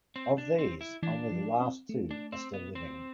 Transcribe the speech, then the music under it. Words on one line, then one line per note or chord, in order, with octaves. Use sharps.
Of these, only the last two are still living.
C4
D4
C4
E4
E3 D4
F3
C4
A3
D4
C4
B3
C4